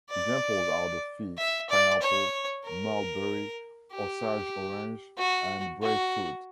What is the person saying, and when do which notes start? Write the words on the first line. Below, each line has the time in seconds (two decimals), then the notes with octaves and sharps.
Examples are the fig, pineapple, mulberry, osage-orange, and breadfruit.
0.10 D5
1.38 E5
1.70 D5
2.01 C#5
2.64 A#4
3.92 G4
5.18 F#4
5.82 F#4